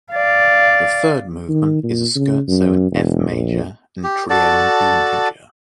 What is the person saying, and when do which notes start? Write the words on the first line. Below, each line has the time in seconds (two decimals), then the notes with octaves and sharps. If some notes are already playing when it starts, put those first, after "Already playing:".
The third movement is a scherzo in F major and trio in D major.
0.13 D5 F5
1.49 D#3
1.84 A#2
2.15 C#3
2.48 F#2
2.92 E1
3.30 A#1
4.04 G4
4.30 F#4 A4 D5 A5